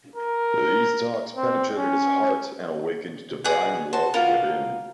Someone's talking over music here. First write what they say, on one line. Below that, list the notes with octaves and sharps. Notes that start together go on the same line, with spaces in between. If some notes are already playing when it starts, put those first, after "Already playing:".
These talks penetrated his heart and awakened divine love within.
A#4
C4
C#4
B2 G#4 D5 F#5
F#4 C5 A5
A#3 B3 F4 A#4